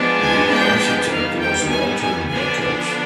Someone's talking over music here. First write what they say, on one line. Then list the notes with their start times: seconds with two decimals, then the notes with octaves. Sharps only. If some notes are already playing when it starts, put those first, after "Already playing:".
The architect was Welton Becket.
Already playing: F3 G#3 B3 D4
0.19 G#5
0.49 G5
1.09 D#3 G3 B3 F5
1.40 G5
1.70 G#5
2.00 G#5
2.29 D3 F3 B3 D4 G#5